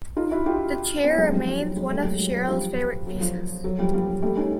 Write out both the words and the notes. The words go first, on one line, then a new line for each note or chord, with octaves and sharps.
The chair remains one of Cherrill's favourite pieces.
D#4 F4
E4 F#4
F4 G4
B3 C#4
F#3 G#3
F3 G3
F3
F#3
F#3 G#3
G3 A3
F#3 G#3
F#3
F#3
F3 G3
F#3
F3
F#3
F3 G3
F3 G3
G3 A3
C#4 D#4